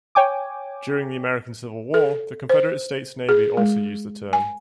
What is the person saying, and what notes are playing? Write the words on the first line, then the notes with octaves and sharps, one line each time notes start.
During the American Civil War, the Confederate States Navy also used the term.
C#5 G5 G#5 D6
A4
C5
G#4
G#3
G#5